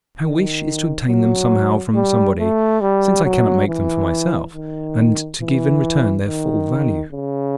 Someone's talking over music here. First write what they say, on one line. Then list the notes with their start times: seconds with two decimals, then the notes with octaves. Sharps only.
"My wish is to obtain them somehow from somebody, since I cannot make them for myself, and to give in return their full value."
0.23 D#3
1.08 F#3
1.95 G3
2.39 A3
2.81 G3
3.24 F#3
3.68 E3
4.54 D#3
5.41 E3
6.26 D#3
7.12 C#3